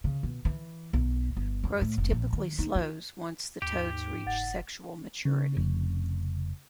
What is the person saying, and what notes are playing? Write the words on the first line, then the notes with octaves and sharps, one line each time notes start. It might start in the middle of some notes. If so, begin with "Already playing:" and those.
Growth typically slows once the toads reach sexual maturity.
C#3
B2
E3
B1
G1
F#2
A2
F1
A#1
D#3
D#4
F4
D#2 G#2 G4
F#1 F#5 A6
C#3
F1